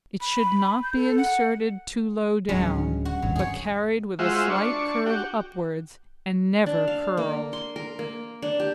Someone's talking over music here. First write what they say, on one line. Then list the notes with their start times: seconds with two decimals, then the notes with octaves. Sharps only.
It should not be inserted too low down, but carried with a slight curve upwards, and never curled.
0.21 B5
0.83 G6
0.96 A4
1.18 F#5
2.49 D1 G2 F#3 G#3 C#4
3.05 F#4
3.22 D#1 G#1 G2 F#3
3.36 G#4 C#5
4.19 G#3 F4 F#4 C5 E5
4.50 D4 C#6
5.06 F#4 G4
6.66 D4
6.88 F5
7.17 A#3
7.53 C6
7.76 A#4
7.99 A#3
8.42 D4
8.60 G4